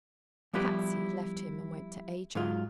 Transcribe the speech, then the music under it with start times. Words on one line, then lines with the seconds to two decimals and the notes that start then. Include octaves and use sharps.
Patsy left him and went to Ajo.
0.53 F3 G3 B3 E4 G4 B4
2.35 G#2 F#3 F4